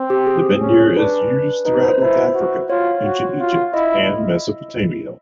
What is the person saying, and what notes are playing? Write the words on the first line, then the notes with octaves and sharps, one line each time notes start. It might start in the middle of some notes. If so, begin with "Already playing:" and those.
The bendir is used throughout North Africa, Ancient Egypt, and Mesopotamia.
Already playing: C4
G4
G#4
C#4
D4 B4
D#4 B4
C5
E4
F#4
F4 C#5
F#4
F4
E4 D#5